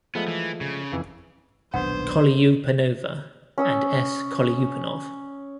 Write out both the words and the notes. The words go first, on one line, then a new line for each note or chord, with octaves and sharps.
Kolyupanova, and S. Kolyupanov.
F3 G#3 A3 B3
E3
C#3
F2 E3 G#5
D#1 B1 D4 B4 C5 F#5
C#4 D#6 E6